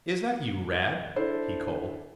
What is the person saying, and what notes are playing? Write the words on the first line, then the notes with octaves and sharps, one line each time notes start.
"Is that you, Rad?" he called.
D4 E4 A4 C5